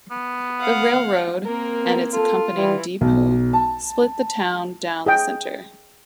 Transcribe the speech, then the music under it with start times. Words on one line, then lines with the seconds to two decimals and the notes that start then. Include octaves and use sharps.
The railroad, and its accompanying depot, split the town down the center.
0.11 B3
0.60 F5 F#5
1.46 A#3 C4 A#4
1.83 B3
2.13 F4 A4
2.56 E3 G3
3.01 B1
3.53 A5
5.06 G#4 D#5 G5